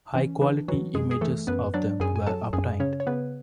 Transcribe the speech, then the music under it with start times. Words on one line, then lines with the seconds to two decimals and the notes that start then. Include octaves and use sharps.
High-quality images of them were obtained.
0.15 E3 C#4
0.42 E3 D4
0.68 E3 F#3 F#4
0.94 F#2 G#3 G#4
1.11 G#4
1.21 E3 A3 A4
1.47 F#2 B3 B4
1.74 F#3 D4 D5
2.00 F#2 G#4 G#5
2.16 G#5
2.27 F#3 A4 A5
2.53 F#2 G#4 G#5
2.80 C#3 C#4 C#5
3.00 C#5
3.07 C#3 B3 B4